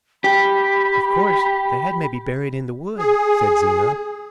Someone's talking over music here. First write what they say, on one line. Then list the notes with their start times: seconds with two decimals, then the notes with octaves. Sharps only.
"Of course, the head may be buried in the wood," said Zena.
0.24 G4 B5
2.97 G#4